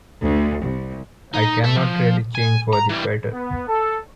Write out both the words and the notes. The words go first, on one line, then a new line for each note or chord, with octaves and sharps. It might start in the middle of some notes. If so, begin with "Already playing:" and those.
I cannot really change for the better.
D2
C2
D#4
A4 E5
F3
G#5
A#5
E3 G3
B3
A4